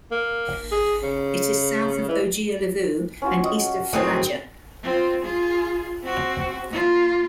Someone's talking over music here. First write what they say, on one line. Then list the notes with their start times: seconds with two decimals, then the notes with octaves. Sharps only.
It is south of Ogea Levu and east of Fulaga.
0.12 A#3
0.72 G#4
1.03 C#3
2.09 E3
3.22 C#4 F4 F#4
3.44 C#5 D#5 F#5
3.93 A2 D#3 F#3 C4 G#4 D6
4.83 C4 F4
5.23 F4 G#4
6.03 C4 F#4
6.71 A#3 F4